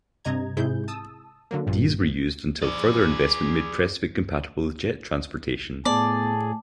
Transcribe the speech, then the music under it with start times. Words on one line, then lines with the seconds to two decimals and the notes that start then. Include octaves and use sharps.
These were used until further investment made Prestwick compatible with jet transportation.
0.25 G2 C3 D#5 A#5 G#6
0.57 G#2 C3 E4 G#4 G6
0.88 A5 D#6 E6
1.51 D3 F#3 A#3
1.66 A#1 G2 A#2
2.62 G#4 D5
5.85 A2 B3 G#4 D5 A5